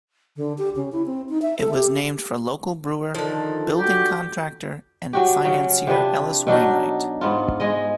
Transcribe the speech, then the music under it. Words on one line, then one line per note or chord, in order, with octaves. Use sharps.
It was named for local brewer, building contractor, and financier Ellis Wainwright.
D3
G4
C#3
E4
C4
D#4
E5
A4
G4
D3 D#3 F3
F#4 G4
F#3 F#4 G4
C#3 F#3
C3 F3 D4 B4
B2 F#3 D4 D#4
G#2 B3 F4
G#3 G#4 D#5